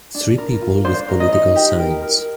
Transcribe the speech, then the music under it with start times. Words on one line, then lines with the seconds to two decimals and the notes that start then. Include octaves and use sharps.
Three people with political signs.
0.15 D4
0.38 A#4
0.61 F4
0.85 D4 C5
1.08 A#4
1.20 D#5
1.32 D#4
1.55 G4
1.79 A#4
2.02 A#4